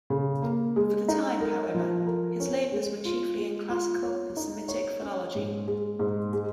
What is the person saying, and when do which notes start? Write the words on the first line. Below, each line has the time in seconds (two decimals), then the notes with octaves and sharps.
For the time, however, his labours were chiefly in classical and Semitic philology.
0.10 C#3
0.42 A#3
0.76 G#3
1.08 D#4
1.41 A#4
1.74 F3
2.07 A#4
2.40 C#4
2.72 G#3
3.05 F4
3.38 G#3
3.70 F4
4.03 C#5
4.37 D#4
4.68 C#5
5.02 C#4
5.35 G#2
5.68 G#3
5.99 G#2
6.33 G#3